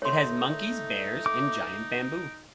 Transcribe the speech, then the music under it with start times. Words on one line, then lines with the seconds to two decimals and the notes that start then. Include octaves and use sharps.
It has monkeys, bears and giant bamboo.
0.02 A3 D#4 C#5 C6
1.26 D6